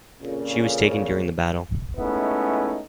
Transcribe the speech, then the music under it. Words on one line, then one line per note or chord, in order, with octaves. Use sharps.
She was taken during the battle.
F2 A#2 C#3
G#3 A3 B3 C#4 D#4 E4